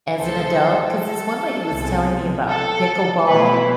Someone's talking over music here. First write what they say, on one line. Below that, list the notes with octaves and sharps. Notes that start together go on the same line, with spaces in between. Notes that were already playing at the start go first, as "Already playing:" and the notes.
as an adult, 'cause this one lady was telling me about pickleball.
D2 C3 F3 G#3 A4 C5
A4
C2 B2 G#3 C4
A4
B2 A3 E4 B4